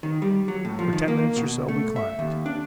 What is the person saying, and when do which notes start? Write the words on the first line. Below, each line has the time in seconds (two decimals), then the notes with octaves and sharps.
For ten minutes or so we climbed.
0.03 D#3
0.22 G3
0.48 F#3
0.65 A2
0.79 F3
0.93 D#3
1.08 A#3
1.37 B2
1.68 A3
1.96 E5
2.19 D#2
2.46 D4